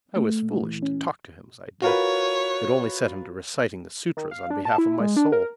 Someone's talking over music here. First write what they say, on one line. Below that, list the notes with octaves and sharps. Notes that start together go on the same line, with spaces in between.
I was foolish to talk to him as I did;--it only set him to reciting the sutras on behalf of my soul!
A3
A#2
E3
C#4
F4 F#4 A#4 B4 C#5
D#3
F5
D4
A5
E4
G#3
D4
A#4